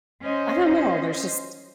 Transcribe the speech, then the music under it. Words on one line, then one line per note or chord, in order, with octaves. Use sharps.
I don't know, there's just
C#4 C5 D#5